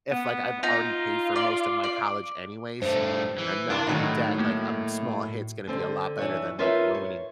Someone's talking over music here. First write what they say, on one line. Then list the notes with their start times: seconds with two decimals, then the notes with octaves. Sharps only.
if like I've already paid for most of my college anyways, and I'm not in debt, like, a m small hit's gonna be a lot better than, like, ruining
0.12 B3
0.63 D#4 F4 A#5
1.36 D5
1.84 D5
2.82 G2 A3 C5
3.38 E3
3.70 G2 C3 A#3 D4 E4
3.87 A2 D#3 F#3 D#4
4.38 A3 A#3 F#4
5.68 D3 C4 D4
6.19 E3 D4 C#5
6.59 D#4 F4 A#4 B4 C#5 E5
6.94 C#5